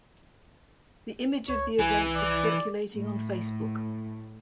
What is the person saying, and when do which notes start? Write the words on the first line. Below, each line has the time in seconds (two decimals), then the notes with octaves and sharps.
The image of the event is circulating on Facebook.
1.48 C#2 C#5
1.79 C2 E3 G#5
2.16 D5
2.93 A2